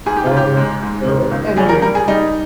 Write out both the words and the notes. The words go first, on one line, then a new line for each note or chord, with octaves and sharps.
Um, so, I don't really
G#2 G#4
G4
F4
G#2
G4
G#3
G#2
D#3
C#2
G3 G#4
A#4
G3 A#4
G#4
G3 D#4